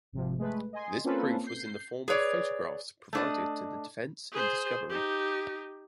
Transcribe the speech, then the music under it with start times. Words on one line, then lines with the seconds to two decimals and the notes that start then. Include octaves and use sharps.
This proof was in the form of photographs provided to the defense in discovery.
0.12 G#1 C3 F3
0.38 G#3 A3 B4
0.73 D#5 G#5 C6
1.04 A#3 C4 C#4 F4 A4 B4
1.46 G6 C7
2.08 G#4 B4 C#5 D5
3.13 A3 D4 D#5
4.32 G#4 C5
4.89 D#4 G4